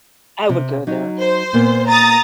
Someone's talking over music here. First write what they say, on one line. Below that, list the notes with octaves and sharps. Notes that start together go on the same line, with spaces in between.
I would go there.
C3
F#3 D#4
C5
A#2 A#3 B3
A#5 D#6 A6